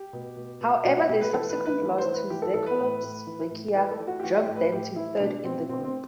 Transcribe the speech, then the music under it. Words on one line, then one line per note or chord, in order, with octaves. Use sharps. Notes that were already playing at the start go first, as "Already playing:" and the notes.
However, their subsequent loss to Czechoslovakia dropped them to third in the group.
Already playing: G4
B2
B2
B2
B2 F#4
F#4
B2 G4
B4
E3 A4
B4
E3
B4
E3 B4
C5
E3
B4
E3 G4
A4
E3 A4
B4
A2
A2
E3
A2
E3 B4
A4
E3
F#4
G4
E3 F#4
G4
A2
B4
A2 G4
E3 E4
B2 D4
B2 C4
B2 C4
C4